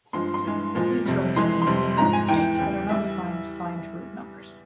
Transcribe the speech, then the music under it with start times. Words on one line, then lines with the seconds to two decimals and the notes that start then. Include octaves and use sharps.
These roads are maintained by the state but are not assigned signed route numbers.
0.13 G2 F3 G#3 C6
0.34 C6
0.45 G2 E3 G#3
0.75 A#2 F3 G#3
1.06 F2 C3 G3
1.36 F2 E3 G#3 C6
1.62 C6
1.67 F2 C3 G3
1.97 G#2 F3 G#3 A#5
2.13 G#5
2.28 E2 E3 G#3 G5
2.59 E2 C#3 G3
2.89 E2 E3 G3 E5